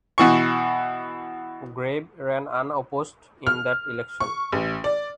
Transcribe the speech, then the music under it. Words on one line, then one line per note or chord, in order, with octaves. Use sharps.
Grabe ran unopposed in that election.
B2 E3 C#6
F6
C#6
A1
D5